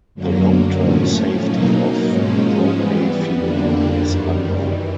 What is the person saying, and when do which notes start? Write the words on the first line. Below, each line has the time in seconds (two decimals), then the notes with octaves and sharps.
The long-term safety of propafenone is unknown.
0.15 F#2 D3 F#3 A#3
0.79 A2 F3 A3 C#4
1.44 B2 F#3 A#3 D#4
2.08 G#2 F3 G#3 C#4
2.73 E3 G3 B3
3.37 F2 D3 G3 A#3 D4
4.02 F#2 D#3 G3
4.67 E3